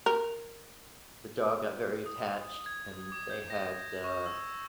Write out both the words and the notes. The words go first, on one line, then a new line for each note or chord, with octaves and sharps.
the dog got very attached, and they had, uh,
A#4
D#6
G#6
D6
G6
A#6
C#6
E6